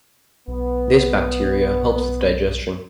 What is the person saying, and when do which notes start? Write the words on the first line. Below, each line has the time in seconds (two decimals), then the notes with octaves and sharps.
This bacteria helps with digestion.
0.48 B1 B3